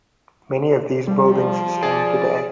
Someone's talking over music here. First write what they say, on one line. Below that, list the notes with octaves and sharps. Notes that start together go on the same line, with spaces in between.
Many of these buildings stand today.
F3 G3
G#4 D5